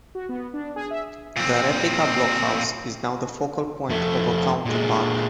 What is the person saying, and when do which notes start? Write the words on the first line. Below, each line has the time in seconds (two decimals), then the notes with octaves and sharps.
The replica blockhouse is now the focal point of a county park.
0.15 F#4
0.29 B3
0.54 D4
0.76 G#4
0.90 E5
1.36 A#2 C4
3.89 F2 A3
4.65 A#2 G#3